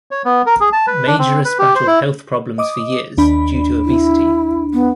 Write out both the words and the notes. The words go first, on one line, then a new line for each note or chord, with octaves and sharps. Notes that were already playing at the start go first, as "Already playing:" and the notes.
Majerus battled health problems for years due to obesity.
C#5
B3
A#4
G#4
A5
B4
D4
C4
B4
G4
C5
E4
D#5 D6 D#6
D#2 D4 B5
E4
B3